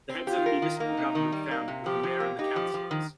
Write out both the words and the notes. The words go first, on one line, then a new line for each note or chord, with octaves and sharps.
The heads of the municipal government founded were the mayor and the counselors.
C4
F4 G4
A#4
D#3
A#3 D#4
C3
D#3
G3
A#3
C3
F3 G4
F3
A#3
D#4 G4
F3
F3
D#3